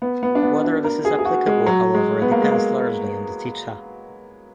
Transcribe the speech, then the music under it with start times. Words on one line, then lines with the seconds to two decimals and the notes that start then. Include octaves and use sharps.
Whether this is applicable, however, depends largely on the teacher.
0.02 B3
0.23 B3
0.35 D4
0.43 B3
0.64 D4
0.84 A#4
1.05 G#4
1.19 G#4
1.25 F#4
1.47 G#3
1.66 F#3
1.94 G#3
2.22 B3
2.32 A#3
2.42 G#3
2.51 A#3